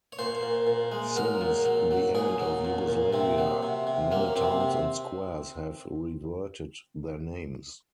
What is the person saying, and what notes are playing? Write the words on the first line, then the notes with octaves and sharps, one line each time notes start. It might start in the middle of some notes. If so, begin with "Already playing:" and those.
Since the end of Yugoslavia, many towns and squares have reverted their names.
C#5
A#2 C5
A#2
A#2
G#3
F#3 A#4
A#2
F#3
F#3
A#2 G#4
F#3
A#2
A#2
C3 C4
F#3
C3
C3
F#3 A#3
C3 C4
C3